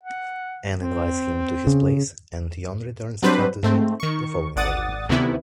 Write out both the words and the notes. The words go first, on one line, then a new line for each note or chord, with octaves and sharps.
An invites him to his place and Yuan returns the courtesy the following day.
F#5
C4
C#3
F#3 G3 C4 D4 B4 C5
G#2 A3 C4
D#3 C#6
G#1 D5 F#5 D#6 A6
D2 C3 D#3 E3 B3 E4